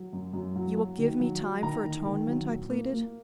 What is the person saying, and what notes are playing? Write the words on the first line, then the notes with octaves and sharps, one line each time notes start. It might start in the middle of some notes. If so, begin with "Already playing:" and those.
"You will give me time for atonement?" I pleaded.
Already playing: F#3
F#2
F#2
F#3
F#3
D#3
F#3
F#3
D#3 A#5
D#3
D#3
F#3
A#2
A#3
A#3